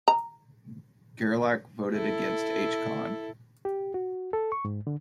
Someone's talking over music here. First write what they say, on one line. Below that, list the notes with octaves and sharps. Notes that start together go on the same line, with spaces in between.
Gerlach voted against H. Con.
A#5
E4 A4
G4
F#4
A4
C#6
G#2
D3